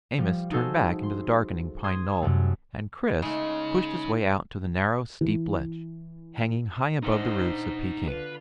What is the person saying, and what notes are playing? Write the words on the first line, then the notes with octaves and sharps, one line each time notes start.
Amos turned back into the darkening pine knoll, and Chris pushed his way out to the narrow steep ledge, hanging high above the roofs of Peking.
F3 G3
D#4 F#4 G#4 A4 C5
C6
C6 D#6 G#6
F#2 C3 G3 A3
C#3 G#3 A3 D#4
E3
D4 D#4 C5 D#5 F#5
D3 F4 B4